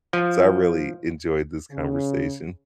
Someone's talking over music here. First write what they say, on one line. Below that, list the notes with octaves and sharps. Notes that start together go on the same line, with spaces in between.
so I really enjoyed this conversation.
F3
C#3